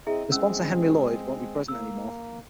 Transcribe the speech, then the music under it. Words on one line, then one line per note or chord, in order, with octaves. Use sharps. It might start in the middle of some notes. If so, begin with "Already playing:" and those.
The sponsor Henri Lloyd won’t be present anymore.
C4 E4 G#4 D#5 E5
G#3 C4 C#4 E6
A#3 E6